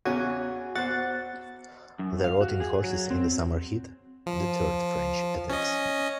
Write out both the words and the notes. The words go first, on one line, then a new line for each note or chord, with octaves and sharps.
The rotting horses in the summer heat deterred French attacks.
E2 C#3 C#4 F#4 G#5
E2 F#4 C5 F#5 A6
F#2
F5
F#4
G#4
F#3
C4
F3
C#4 D#5